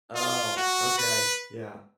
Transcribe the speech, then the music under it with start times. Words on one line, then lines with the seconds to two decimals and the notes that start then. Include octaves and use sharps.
Oh, okay, yeah.
0.15 F4
0.56 F#4
0.98 B4